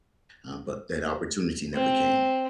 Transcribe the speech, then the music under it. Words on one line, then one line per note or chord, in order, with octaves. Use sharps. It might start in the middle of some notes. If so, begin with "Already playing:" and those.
uh, but that opportunity never came.
C4